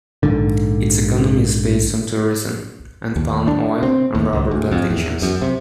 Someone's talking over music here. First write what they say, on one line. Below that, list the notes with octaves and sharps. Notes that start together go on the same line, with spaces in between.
Its economy is based on tourism, and palm oil and rubber plantations.
A#1 G#2 D3
D#2
D4
C4
D#2
C#2
D2
F2
E2
F#2
C3